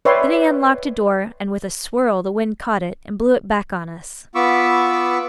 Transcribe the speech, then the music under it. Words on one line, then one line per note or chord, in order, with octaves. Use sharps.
Then he unlocked a door and with a swirl the wind caught it and blew it back on us.
B4 C#5 D5 E5 G5 C6
B3 F4 B5 C#6 D6 E6